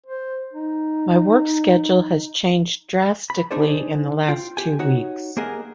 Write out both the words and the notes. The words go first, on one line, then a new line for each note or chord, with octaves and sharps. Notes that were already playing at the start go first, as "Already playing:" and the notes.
My work schedule has changed drastically in the last two weeks.
C5
D#4
B5
D4 D#4 G#4 C5 D5
F4 G5
G4 G#5
D#4 F#4 C#5 F#5
A#3 G4 G#4 A#4 D#5 F#5